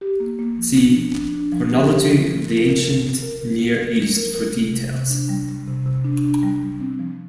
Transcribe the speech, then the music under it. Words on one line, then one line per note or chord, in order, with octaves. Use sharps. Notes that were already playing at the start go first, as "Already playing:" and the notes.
See Chronology of the Ancient Near East for details.
G4
A#3
A#3
F3
D4
F3
D4
D4
F3
G4
G4
F3
F3
A#4
A#4
A#4
C4
A#4
A#4
A#4
A#4
F3
A#4
A#4
C3
C3
C3
D4
G3
G3
C3
C3
D4
D4
G3
G3
C4
F3